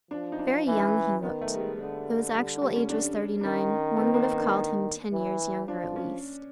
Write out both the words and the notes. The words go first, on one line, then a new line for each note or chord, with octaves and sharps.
Very young he looked: though his actual age was thirty-nine, one would have called him ten years younger, at least.
F3 D4
D#4
D4
E3 C#4
D#3 B3
A3
G3
G#3
D3 G#3
G3
G3
C#4
D4
D4
D#3 C#4
B3
C4
A#3
B3
D4
E3
F3 D4
C#4